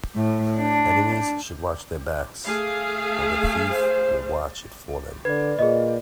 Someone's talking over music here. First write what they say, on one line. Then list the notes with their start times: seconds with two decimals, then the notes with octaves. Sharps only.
Enemies should watch their backs, or the thief will watch it for them.
0.15 A2
0.56 D4
2.46 A3 G#4 F5
3.70 C5
5.25 D3 B4 D5 G#6
5.59 A#2 G#4 D#5